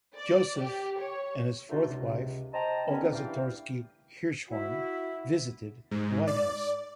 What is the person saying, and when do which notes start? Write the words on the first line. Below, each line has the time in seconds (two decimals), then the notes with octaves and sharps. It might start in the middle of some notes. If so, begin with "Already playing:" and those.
Joseph and his fourth wife, Olga Zatorsky Hirshhorn, visited the White House.
0.16 D5
0.59 G4
0.99 C#5
1.70 D3 A3 B3 D#4 F4 F#4
1.88 C#2 C3
2.53 C5 D#5 G5 A5 A#5
2.87 D#2 D3 B3 C#4
3.12 G2 E3 E4 D5 F5 G5
4.50 E4 F#4
5.91 G#2
6.27 D5